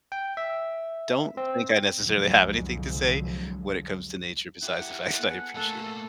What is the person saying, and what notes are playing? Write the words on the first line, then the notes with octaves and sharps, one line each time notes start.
don't think I necessarily have anything to say when it comes to nature besides the fact that I appreciate it.
G5
E5
C4
C2 F2 D3 F3 F#3 G#3
E4 G4 F#5
B3 G#4 A4
A2 A3 A#3 A4